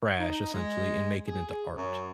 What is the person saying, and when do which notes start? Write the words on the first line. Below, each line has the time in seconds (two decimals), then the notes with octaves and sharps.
trash essentially, and make it into art
0.19 D#4
0.54 G#3
1.27 G#4
1.75 F#2